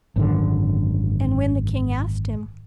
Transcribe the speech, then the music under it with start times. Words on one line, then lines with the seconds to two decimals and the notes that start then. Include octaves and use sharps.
And when the king asked him.
0.16 G#1 F#2 D3